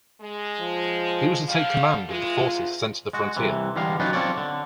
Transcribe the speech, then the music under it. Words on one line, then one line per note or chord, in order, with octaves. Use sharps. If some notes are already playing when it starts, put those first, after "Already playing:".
He was to take command of the forces sent to the frontier.
G#3
F3
D3 G3 F5
E3 G#3 F4
E2
G#3 F#4
C2 C3 E3
D3 E3 G3 G#3 G4 F5
F#3 C#4 D#4 F4 G4 B4
C4 F4 A4 C#5 D5
D3